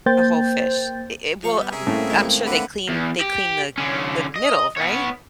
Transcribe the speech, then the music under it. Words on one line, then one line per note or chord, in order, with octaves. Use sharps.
A whole fish. It it will I'm I'm sure they clean they clean the the middle, right?
A#3 C5 G5 G6 A6
F3 F5 C#6
G3 B3
C3 C#4 G#4 A#4 E5
C2 A2 A3 A#3 C4 C#4
D#3 G#3 E4
D3 B4 F#5
E2
G4
D3 C#4
D#5
B3 C#5